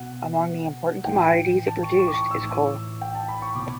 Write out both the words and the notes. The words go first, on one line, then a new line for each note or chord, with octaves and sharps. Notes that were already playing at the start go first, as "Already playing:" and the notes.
Among the important commodities it produced is coal.
Already playing: B2 F#5
A2 E3 G5
A5
C#6
C#6
D6
C#6
A2 E3 E6
G5
A5
B5
C#6
B2 D6